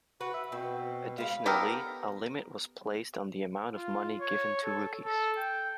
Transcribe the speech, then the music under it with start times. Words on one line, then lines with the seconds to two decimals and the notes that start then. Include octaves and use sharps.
Additionally, a limit was placed on the amount of money given to rookies.
0.21 F#4 B4
0.34 E5
0.52 B2 C4
1.18 G#3 B4 F5
1.46 B3 G4 A4 A#4
3.73 F4
4.21 C#5
4.63 A4
5.05 A4
5.37 G5